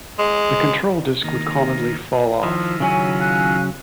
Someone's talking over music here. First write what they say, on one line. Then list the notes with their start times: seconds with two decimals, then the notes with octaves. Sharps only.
The control disc would commonly fall off.
0.19 G#3
1.24 D#3 A#3
2.43 D#3 F3 E4 F4
2.80 C#3 F#3 C#4 G#5
3.19 F5 G#5 F#6